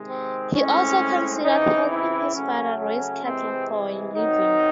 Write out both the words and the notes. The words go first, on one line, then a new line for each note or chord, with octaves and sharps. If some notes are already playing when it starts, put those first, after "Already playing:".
He also considered helping his father raise cattle for a living.
Already playing: C3 D#3 G#3
C4
A2 G#3 C4 C#4
C#3 E3 C4 D#4
E4
C#3 F#3 A3 C#4
C#4
C3 E3 G#3 C4
D#3 F#3 C4 D#4